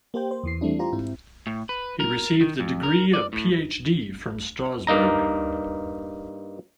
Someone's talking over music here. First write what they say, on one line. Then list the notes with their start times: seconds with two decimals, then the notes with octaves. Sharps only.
He received the degree of Ph.D. from Strassburg.
0.14 A#3 G4 C5 G5
0.31 C5
0.44 E2 E3 C7
0.61 E3 G3 A3 C4 D4 E4
0.79 F4 G4 C5 A#5
0.93 G#2 C4 E4
1.47 A2
1.69 B4
2.00 A#4
2.41 D#3
2.60 F2
2.83 A#4
3.14 D5
3.33 A2
4.87 G2 A#3 D#4 A#5